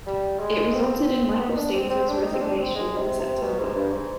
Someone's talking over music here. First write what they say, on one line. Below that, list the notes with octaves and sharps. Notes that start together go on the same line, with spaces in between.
It resulted in Michael Staines' resignation in September.
G3
G#3
C4
B3
D#4
D4
C4
C4
D4
D#4
C4
D4
C4
G#3
C3
C3
B2
G#2
G2
G#2